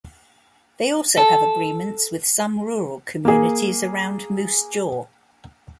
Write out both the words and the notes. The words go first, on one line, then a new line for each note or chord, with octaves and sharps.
They also have agreements with some rural communities around Moose Jaw.
A4
A#3 G#4